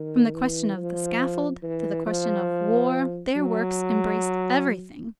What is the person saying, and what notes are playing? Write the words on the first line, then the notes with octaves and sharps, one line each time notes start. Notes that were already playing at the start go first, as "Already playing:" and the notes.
From the question of the scaffold to the question of war, their works embraced everything.
Already playing: D#3
E3
F3
E3
F3
F#3